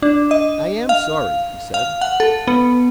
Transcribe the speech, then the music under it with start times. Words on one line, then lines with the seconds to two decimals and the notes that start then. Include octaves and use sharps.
"I am sorry," he said.
0.02 D4
0.31 D#5
0.89 F5
1.74 F5
2.01 F#5
2.20 A4
2.47 B3